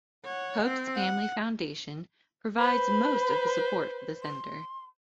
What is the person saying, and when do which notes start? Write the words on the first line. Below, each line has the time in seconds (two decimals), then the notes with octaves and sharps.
Pope's family foundation provides most of the support for the center.
0.24 C#5 F#5
0.65 C4
0.96 F#5
2.58 B4 C5 B5
4.22 C6